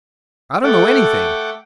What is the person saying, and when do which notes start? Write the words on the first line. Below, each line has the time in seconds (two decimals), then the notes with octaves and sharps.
I don't know anything.
0.63 A3 A4 F#5 G5 D6